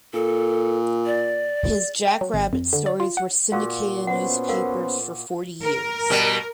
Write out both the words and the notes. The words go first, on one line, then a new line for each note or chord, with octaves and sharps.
His "Jack Rabbit" stories were syndicated in newspapers for forty years.
A#2 A4
D5
G5
F#3
G#1
F2
D3
D5
F4
F#5
A#2 F#4 F5
B3 C#4 C5 F#5
A#4 F5 F#5
A#4
B2 G3